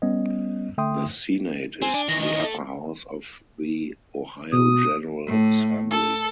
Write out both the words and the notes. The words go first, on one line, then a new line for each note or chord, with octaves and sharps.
The senate is the upper house of the Ohio General Assembly.
G3 B3 C#4 D#5
D3 A3 E5 G5 C6 D#6
C4 G#5
D4
D#3 E3 A#6
D#5
A3 A4
B2 D#6
A2
A4